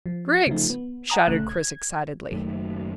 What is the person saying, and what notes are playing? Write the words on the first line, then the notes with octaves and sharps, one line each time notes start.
"Griggs!" shouted Chris excitedly.
F3
C#3 F3 A3 D#4
B3
F#5 G#5 A#5 D#6
A#1 C#3 A3 F#6
G#6
F#1 F#2 D#3 A3